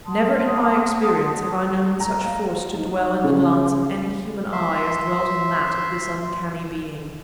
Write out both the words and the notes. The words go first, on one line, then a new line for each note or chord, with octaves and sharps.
Never in my experience have I known such force to dwell in the glance of any human eye as dwelt in that of this uncanny being.
F#5 A5 C6 D#6
A#5
F5
D#4
C#3
E5 C6